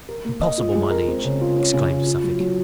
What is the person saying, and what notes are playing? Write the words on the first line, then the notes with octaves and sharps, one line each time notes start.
"Impossible, my liege?" exclaimed Suffolk.
A#4
A#3
D#5
F4
G#3
A#4
C4
C#3
F4
C#4
C#3
F4
F4
F#3
F#3